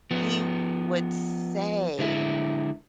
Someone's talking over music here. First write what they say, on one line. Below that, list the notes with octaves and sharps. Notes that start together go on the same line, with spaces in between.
he would say
F3 B3
D3 G#3 E4